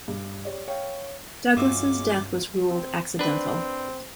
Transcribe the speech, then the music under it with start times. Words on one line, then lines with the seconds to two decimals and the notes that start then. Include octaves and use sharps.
Douglas' death was ruled accidental.
0.08 G2
0.45 G4 C#5 D5
0.68 C#5 F5 G5
1.57 G2 C#3 G#3 C#4 F4 F#4 E5 D6
2.68 C4
3.19 C4 D4 B4